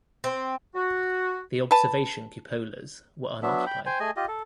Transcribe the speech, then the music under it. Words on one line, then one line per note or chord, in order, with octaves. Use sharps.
The observation cupolas were unoccupied.
C4
F#4
B4 A5
F#3 B3 D4 E5
G5 B5
C5 G5 G#5
A3 G#4 D#5 G#5
F4 G4 D#5
A4